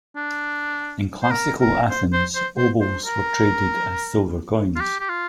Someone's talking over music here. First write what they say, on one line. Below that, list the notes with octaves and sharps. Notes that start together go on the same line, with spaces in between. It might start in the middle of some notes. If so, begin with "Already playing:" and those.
In Classical Athens, obols were traded as silver coins.
D4
C5
A#4
A#4
C5
C5
C5
C5
C5
A#4
F4
G4
G4
F4